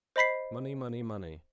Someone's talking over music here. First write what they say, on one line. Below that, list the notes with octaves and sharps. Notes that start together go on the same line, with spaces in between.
"Money, money, money!"
C5 D#5 B5 B6 C7